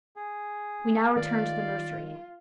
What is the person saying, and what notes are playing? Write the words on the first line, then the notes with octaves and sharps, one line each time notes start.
We now return to the nursery.
G#4
D#3 F4 D5 F5